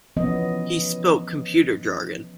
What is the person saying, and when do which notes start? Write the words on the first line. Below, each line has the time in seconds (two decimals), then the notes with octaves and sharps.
He spoke computer jargon.
0.16 E3 F3 B3 C#4 D#5